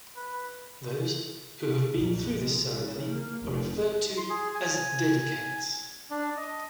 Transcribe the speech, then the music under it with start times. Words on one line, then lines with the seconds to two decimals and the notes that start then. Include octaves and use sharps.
Those who have been through this ceremony are referred to as "Dedicants".
0.16 B4
1.94 A#1 F2
2.38 G#3
2.72 C#3
3.07 A#3
3.42 F1 F3
4.17 C6
4.30 G#4
4.55 G#5
6.11 D4
6.37 D#5